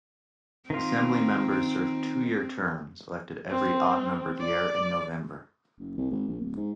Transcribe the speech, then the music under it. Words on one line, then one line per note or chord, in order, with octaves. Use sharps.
Assembly members serve two-year terms, elected every odd-numbered year in November.
D#3 C4 F4
C4
D5
F#1
C2
G#1
A#1
D1
G#2